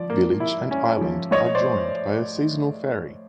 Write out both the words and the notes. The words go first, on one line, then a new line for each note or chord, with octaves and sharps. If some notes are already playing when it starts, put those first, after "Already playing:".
Village and island are joined by a seasonal ferry.
Already playing: F3 D5
A#3
E4
C#4
F3
A2 C#5 D#5
C5 D5